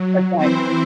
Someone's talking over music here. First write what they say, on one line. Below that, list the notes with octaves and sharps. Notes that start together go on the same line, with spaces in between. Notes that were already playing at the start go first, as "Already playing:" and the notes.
That's right.
Already playing: F#3
E3 C4 E4 C5